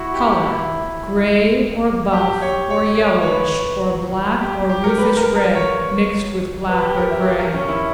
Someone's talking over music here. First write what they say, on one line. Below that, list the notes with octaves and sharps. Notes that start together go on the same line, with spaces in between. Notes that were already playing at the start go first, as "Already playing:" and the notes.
COLOUR--Grey, or buff, or yellowish, or black, or rufus red, mixed with black or grey.
Already playing: E4 F#4
G4
E4
G4
C#5
C#5
C#5
C#5
B4
G4
G4
A#4
B4
A#4
A#4
C#5
B4
G4
A#4
E5
G4
A#4
C#4
E4